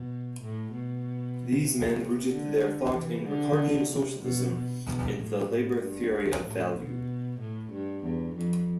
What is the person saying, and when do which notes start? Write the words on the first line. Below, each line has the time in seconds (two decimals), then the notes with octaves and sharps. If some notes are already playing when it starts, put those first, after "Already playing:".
These men rooted their thought in Ricardian socialism and the labour theory of value.
Already playing: B2
0.42 A2
0.73 B2
1.68 C3
2.32 D3
2.95 C3 E3
3.27 D3
3.91 C3
4.22 B2
4.55 B2
4.86 B2
5.18 A2
5.49 A2
5.82 G2
6.45 A2
6.77 B2
7.40 A2
7.72 G2
8.03 E2
8.36 F2